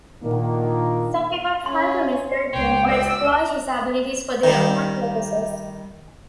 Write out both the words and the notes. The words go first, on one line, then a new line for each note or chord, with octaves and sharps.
Some people try to misguide him or exploit his abilities for their own purposes.
A#2 D#3 A#3 D4
C#4 C#5 C6
C#2 C5 C#5 G5
F#2 B3 D5 E6
D#3 G3